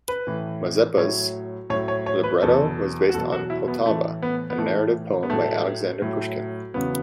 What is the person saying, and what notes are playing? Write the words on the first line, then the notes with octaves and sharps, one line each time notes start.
"Mazeppa"'s libretto was based on "Poltava", a narrative poem by Alexander Pushkin.
B4
A2 E3
A2 F#3 C#5
A2 F#3 C#5
C#5
C#5
B4
E2 B2 F#3 A4
F#4
E2 B2 F#3 A4
F#4
E4
B3
A2 E3 A3
B3
B3
A2 E3 A3
B3
A2 F#3 A3
A2 F#3
E2 C#3 F#3 B3